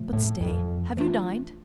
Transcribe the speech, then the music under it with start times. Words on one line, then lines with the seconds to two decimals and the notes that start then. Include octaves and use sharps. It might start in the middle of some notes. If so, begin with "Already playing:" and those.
"But stay--have you dined?"
Already playing: A#2 F3 A3
0.13 A2
0.41 F2
0.97 E3 A3 D4 F4